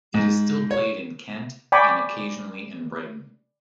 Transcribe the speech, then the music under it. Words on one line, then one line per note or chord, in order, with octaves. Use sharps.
It is still played in Kent, and occasionally in Brighton.
G#2
C#5
D5 G5 G#5 B5 C#6 D6